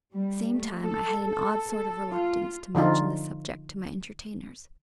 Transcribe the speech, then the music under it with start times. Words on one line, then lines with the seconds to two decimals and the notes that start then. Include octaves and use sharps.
At the same time I had an odd sort of reluctance to mention the subject to my entertainers.
0.12 G3
0.53 A3
0.88 A4
1.25 A4
1.72 A4
2.09 F4
2.75 D3 F3 D#4 F4